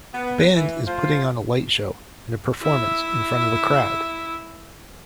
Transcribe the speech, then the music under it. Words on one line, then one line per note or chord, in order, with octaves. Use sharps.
A band is putting on a light show and a performance in front of a crowd.
B3
E3
F3 A3 F4 C5
E4 E5